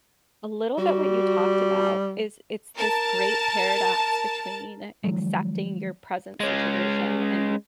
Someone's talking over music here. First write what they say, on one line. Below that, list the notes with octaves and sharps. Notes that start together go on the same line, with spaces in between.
A little bit what you talked about is it's this great paradox between accepting your present situation and
G3 F#4
A#4 A5
D#3 F3 F#3 G#3
G#3 C#4